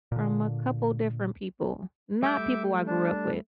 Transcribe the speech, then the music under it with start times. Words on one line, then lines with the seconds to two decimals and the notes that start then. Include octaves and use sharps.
from a couple different people, not people I grew up with.
0.12 A#2 D3
2.22 G3 A3 E5 D6 G6
2.87 D4